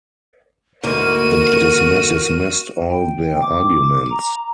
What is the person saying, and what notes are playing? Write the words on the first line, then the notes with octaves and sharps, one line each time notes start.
The judge dismissed all their arguments.
D2 G#2 A#3 F#4 A#4 D#7
G5
D6
A#5